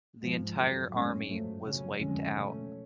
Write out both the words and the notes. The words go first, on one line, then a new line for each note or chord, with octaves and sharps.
The entire army was wiped out.
G#2 F3 G#3
F#2 D3 F#3
A2 G#3 C#4
F#2 F3 A3
C#3 F#3 C#4
F2 D3 G#3 C#4
B2 A3 C#4